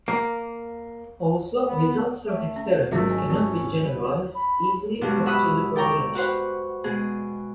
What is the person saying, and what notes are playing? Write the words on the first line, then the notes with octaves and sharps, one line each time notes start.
Also, results from experiments cannot be generalized easily to the population.
A#3
B3
A3
C#4
G#1 F#3 A3 A#3 C#4 D#4 F4 E5
C#4 D#5
C4 G4 A5
G3 E4 B4
B5
G2 B2 F#3 G#3
E5 F#5 B5 D#6
D5 G5 A#5 C#6
F#4 B4 C5 F#5
B2 G#3 G#4